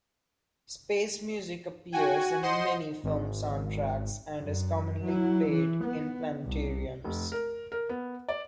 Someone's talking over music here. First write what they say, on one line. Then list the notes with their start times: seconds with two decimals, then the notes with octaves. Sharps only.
Space music appears in many film soundtracks and is commonly played in planetariums.
1.93 F#4 G5 G#5
2.43 C5 D#5 F#5 C6
3.03 G#1
4.41 F#2
5.04 F#3 E4
5.51 E3
5.85 B3
6.45 C2
7.04 F1
7.32 A#4
7.72 A#4
7.89 B3
8.28 D5